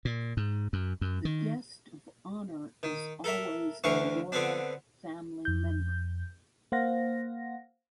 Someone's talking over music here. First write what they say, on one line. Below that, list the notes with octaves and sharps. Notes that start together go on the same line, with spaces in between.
The Guest of Honour is always a Royal family member.
A#2
G#2
F#2
F#2
D#3
D#3
A4 A#4 E5
D2 D3 E3 F5 C#6
D3 B3 C4 D4
F2 G6
A#3 C5 F5 F#5 A#6